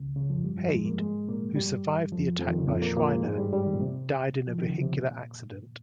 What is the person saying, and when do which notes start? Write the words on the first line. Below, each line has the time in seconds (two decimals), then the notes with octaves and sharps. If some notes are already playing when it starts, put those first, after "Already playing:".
Hade, who survived the attack by Shriner, died in a vehicular accident.
Already playing: C#2 C#3
0.16 C#2 C#3
0.30 F2 F3
0.44 G2 G3
0.57 F2 F3
0.72 G#3
0.86 A#3
0.98 G#2 G#3
1.29 A#2 A#3
1.56 G2 G3
2.12 F2 F3
2.39 F2 F3
2.49 D#2 D#3
2.58 C#2 C#3
2.68 F2 F3
2.82 A#2 A#3
2.97 A#2 A#3
3.10 G#2 G#3
3.24 G#2 G#3
3.38 G2 G3
3.53 G2 G3
3.66 D#2 D#3
3.74 A#2
3.81 C3
4.47 F3
4.59 D#3
4.70 C#3
4.82 C3
4.93 A#2